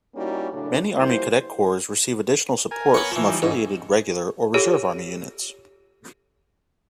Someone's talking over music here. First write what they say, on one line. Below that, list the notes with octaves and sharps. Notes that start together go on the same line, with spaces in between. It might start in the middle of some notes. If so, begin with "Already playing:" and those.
Many Army Cadet corps receive additional support from affiliated Regular or Reserve Army units.
G3 A#3 C#4 D#4 E4 F#4
F#2 A2 C#3 A3 D4
E3 F3 G3 A#3 E4 C5
A#4 G#5
B3 C#5
E3 F3
G3 D#4
G#2 C#4 D#4
F4 G4 A4 C#5